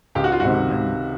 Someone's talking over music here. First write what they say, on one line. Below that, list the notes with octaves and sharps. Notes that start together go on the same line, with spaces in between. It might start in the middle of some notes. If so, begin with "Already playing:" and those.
um, and
C#2 G4
F#4
F4
F#4
C3 D#3